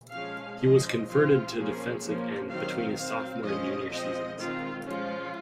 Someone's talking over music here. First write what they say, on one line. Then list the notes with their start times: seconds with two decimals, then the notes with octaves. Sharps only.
He was converted to defensive end between his sophomore and junior seasons.
0.13 F3 G#3 C#4 F5
0.60 F3 G#3 C#4 D#5
1.08 F3 C4 F4
1.55 F3 A#3 C#4 G#4
2.02 F3 A#3 C#4
2.49 D#3 F#3 C4 F5
2.97 F#3 C4 F5
3.45 F3 G#3 C#4 D#5
3.92 F3 G#3 C4 D#5
4.39 D#3 G#3 C4 F4
4.87 F3 G#3 C#4 F4